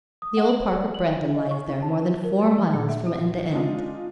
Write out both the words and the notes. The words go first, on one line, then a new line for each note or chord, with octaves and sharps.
The old park of Brandon lies there, more than four miles from end to end.
D#6
F#5
F#7
C5
D5
F#7
E5
E4
D#5
C#6
E4
A5
A#4
A#3
F3
A#2
E5
E4
G#3 C4 D4 D#4 F4